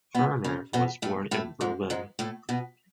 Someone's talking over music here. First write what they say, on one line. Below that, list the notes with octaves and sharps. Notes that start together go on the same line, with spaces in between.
Ferner was born in Berlin.
B2 B3
C#3 C#4
B2 B3
A2 A3
A2 A3
G#2 G#3
G#2 G#3
A2 A3
B2 B3